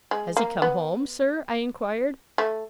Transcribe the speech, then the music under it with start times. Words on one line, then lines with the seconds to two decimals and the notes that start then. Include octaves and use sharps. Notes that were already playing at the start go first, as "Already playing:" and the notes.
'Has he come home, sir?' I inquired.
0.11 G#3
0.37 A#3
0.62 B3
2.38 A3